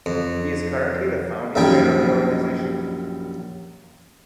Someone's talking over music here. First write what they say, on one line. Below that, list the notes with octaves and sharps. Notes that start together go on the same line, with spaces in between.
He is currently the founding chair of the organization.
F2
A#1 F#2 D#3 G3 G#4 G5